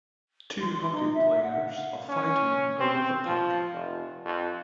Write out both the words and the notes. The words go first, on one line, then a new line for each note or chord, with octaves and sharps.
Two Hockey players are fighting over the puck.
C6
C6
D#4
E5
F#5
F5
C#4
C4
F3
F1
F2